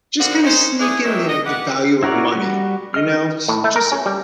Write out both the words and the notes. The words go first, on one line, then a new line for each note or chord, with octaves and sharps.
just kinda sneak in there the value of money, you know, j just,
A#2 D3 F3 F#4 F#5
D#3 C#4 D#4 C5 C#5
E3 A3 D4 G#4
C3 D#3 F#3 G#3 G4 E5
D#5
G4 B4 F#5
E4 F#4 A#4 C#5 D5
G3 F#4
D#5 F6
A2
A3
A#4
C#4
G3